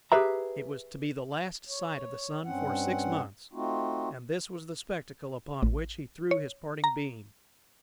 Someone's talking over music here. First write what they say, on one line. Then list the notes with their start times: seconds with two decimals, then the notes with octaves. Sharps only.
It was to be the last sight of the sun for six months, and this was the spectacle upon which he threw his parting beam.
0.12 G4 G#4 B4 E5 A#5
1.67 C#5
2.45 G2 C4 C#4 F#5
3.53 A3 C4 D#4 F4 F#4
5.63 A1
6.31 C#5
6.84 A#5